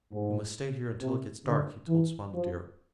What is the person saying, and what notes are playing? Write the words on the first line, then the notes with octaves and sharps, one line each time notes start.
"We must stay here until it gets dark," he told Spotted Deer.
G#2
C3
D3
E3
F3